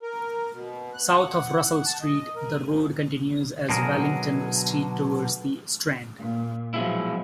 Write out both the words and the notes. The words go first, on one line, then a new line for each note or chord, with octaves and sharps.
South of Russell Street, the road continues as Wellington Street towards The Strand.
A#4
B2
F#6
F#5
A5
D#5
A#4
D2
B2 D3 F#3 F#4 G#4 A#4
A#2
B2 F3 F#3 G#3 E4